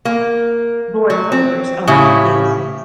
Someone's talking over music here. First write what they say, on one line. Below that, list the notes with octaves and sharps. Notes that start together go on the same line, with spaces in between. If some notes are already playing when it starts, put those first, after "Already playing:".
Voice overs, okay, yes, yes.
A#3
F#3
C4
A2 C#3 E4 G4